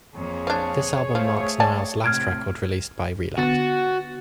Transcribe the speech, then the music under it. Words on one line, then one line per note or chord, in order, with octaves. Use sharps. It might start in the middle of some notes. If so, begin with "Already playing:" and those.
This album marks Nile's last record released by Relapse.
F2 A#3 G#4 C#5
F3 D4
F3 A3
D5 G#5 A5
A2 C3 F6 G#6 D7
D3 B3 F#4 A6